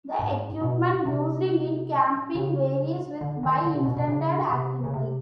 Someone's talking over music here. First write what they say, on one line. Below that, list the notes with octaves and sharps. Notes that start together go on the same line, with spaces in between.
The equipment used in camping varies with by intended activity.
G#2
B2
C3
C#3
D3
D#3
D3
C3
B2
B2
C#3
C3
C#3
C3